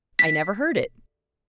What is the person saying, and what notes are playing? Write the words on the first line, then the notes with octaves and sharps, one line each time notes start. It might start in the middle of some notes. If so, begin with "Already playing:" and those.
"I never heard it."
B6